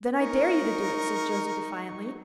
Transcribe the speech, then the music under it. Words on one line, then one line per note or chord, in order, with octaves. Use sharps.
"Then I dare you to do it," said Josie defiantly.
D#4 A#4 C#6